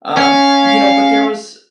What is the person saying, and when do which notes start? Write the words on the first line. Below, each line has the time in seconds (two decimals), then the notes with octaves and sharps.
um, you know? But there was,
0.17 C#4 F5